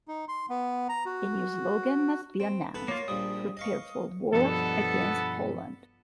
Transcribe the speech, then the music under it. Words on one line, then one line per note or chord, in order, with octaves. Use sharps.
A new slogan must be announced: Prepare for war against Poland.
D#4
C6
B3
A#5
F#4
C4
B3 A4 B4
A#3 F4 C#5
A#1 F3 G3 D#6
D#5 F5 C#6
G2 B2 F3 B3 A4